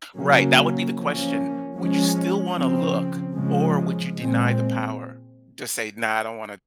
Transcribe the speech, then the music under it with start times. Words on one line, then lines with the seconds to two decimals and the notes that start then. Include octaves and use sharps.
Right, that would be the question. Would you still wanna look, or would you deny the power, to say, "Nah, I don't wanna
0.15 C#3 F#3 A#3 C#4
0.95 F3 A#3 C#4
1.75 F3 G#3 C#4
2.54 C#3 F3 C4
3.34 C#3 F3 G#3
4.14 A#2 G#3 C4